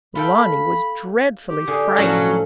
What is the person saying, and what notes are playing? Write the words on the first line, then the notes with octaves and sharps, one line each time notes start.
Lonnie was dreadfully frightened.
F4 A4 G5 B5
G4
D3 G#4
A2 F3 F#3 C#4